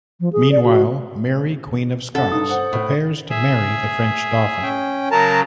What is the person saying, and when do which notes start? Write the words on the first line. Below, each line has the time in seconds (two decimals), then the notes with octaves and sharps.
Meanwhile, Mary Queen of Scots prepares to marry the French Dauphin.
0.20 F3
0.33 G#4
0.52 D5
0.64 F#4
2.15 F#2 C#3 A4 F#5
2.32 G2 D#4 D#6
2.49 C5 F#5
2.73 A2
3.30 G#4 E5
4.63 C#4 G5
5.11 C#3 F#3 A#4 A5 A#5